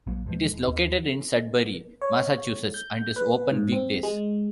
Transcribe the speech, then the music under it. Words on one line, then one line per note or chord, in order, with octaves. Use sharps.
It is located in Sudbury, Massachusetts and is open weekdays.
A#1 F#3 A#3
D#2 E3 F3 G#3
D#1
D#2
C#5
G6
B4
G#2
C4
G#3